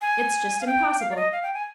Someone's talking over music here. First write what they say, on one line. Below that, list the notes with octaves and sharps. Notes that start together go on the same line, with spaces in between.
It's just impossible!
G#5
F5
G5
F5
D5
D#5
F5
G5
G#5